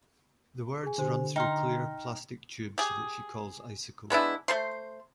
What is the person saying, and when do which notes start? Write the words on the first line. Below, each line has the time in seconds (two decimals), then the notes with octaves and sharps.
The words run through clear plastic tubes that she calls icicles.
0.83 G#4 G#5
0.98 D3 G4 C5 G#5
1.36 D#4 G5 A#5 C6 F6
2.78 G4 G#4
4.10 G#3 B3 D4 E4
4.48 A3 C5 C6